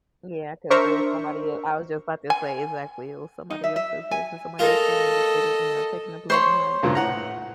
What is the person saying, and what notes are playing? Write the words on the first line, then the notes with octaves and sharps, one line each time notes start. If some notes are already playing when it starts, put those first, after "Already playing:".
Yeah, 'cause it was somebody e and I was just about to say, exactly, it was somebody else's business, somebody else trying to get it, you know, taking a blow behind it,
D4 A#4 C5 E5 C#6
G#5
D#4
E5
E5
G#5
F4 A4 A#4 D#5
C5 C#5 B5 C6
C#2 G2 A#2
A2 F#5 A#5